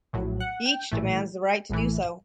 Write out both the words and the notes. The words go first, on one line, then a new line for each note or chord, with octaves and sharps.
Each demands the right to do so.
A#1 A2 F#3
F#5
G5
A#1 A2 E3 A3
A#1 A2 E3 A3